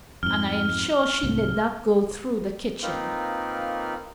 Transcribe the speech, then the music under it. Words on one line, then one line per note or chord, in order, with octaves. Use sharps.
"And I am sure she did not go through the kitchen."
F2 G#2 F6 G7
C2 G#2 C3
A#3 C4 D#4 F4 A#4 B4